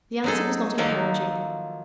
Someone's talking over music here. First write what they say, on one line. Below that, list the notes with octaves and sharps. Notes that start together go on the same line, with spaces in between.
The answer was not encouraging.
F#3 G#3 D#4 G#4 A4
D#3 F3 F#3 A#3 D#4 A4